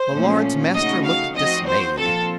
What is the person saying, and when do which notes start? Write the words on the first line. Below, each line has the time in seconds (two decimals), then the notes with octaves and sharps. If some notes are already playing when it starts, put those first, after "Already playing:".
The Lords-Master looked dismayed.
Already playing: C5
0.13 A#2 F3 A3 C#4
0.74 C#3 A3 D#4 F#4 D#5
1.05 F5
1.35 F3 C4 D#4 F#4 D#5
1.67 C5
1.97 A#2 F3 C4 F4 A4